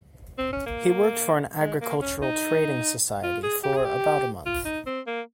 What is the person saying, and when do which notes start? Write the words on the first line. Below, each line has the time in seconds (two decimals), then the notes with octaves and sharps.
He worked for an agricultural trading society for about a month.
0.38 C4
0.53 C#4
0.66 A#3
1.60 G#3
1.81 A#3
2.01 C#4
2.22 D#4
3.24 F4
3.44 G#4
3.64 G4
3.77 G#4
3.85 G4
4.46 F4
4.65 D#4
4.86 C4
5.07 A#3